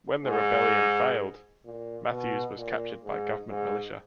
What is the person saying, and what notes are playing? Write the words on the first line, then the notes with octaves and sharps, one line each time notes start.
When the rebellion failed, Matthews was captured by government militia.
G#2
A#2
B2
A#2
G#2
G#2